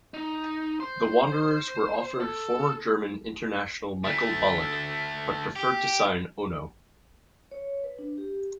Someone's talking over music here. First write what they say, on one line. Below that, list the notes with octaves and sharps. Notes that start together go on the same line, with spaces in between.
The Wanderers were offered former German international Michael Ballack but preferred to sign Ono.
D#4
C5
A4
D2 A3
G4
C#5
B4
D4
G4